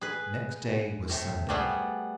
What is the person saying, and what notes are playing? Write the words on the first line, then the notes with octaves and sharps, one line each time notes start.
Next day was Sunday.
G#4 B4
A2 C3
G3 A3 B3 G#4